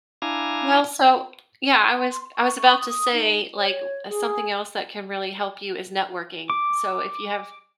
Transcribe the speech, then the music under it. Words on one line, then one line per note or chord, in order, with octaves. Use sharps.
Well, so Yeah, I was I was about to say, like, w uh, something else that can really help you is networking, so, if you have
D4 E4 F5 G#5 A#5
C6
C#6
D#6
D#4
C#5
G#4
D6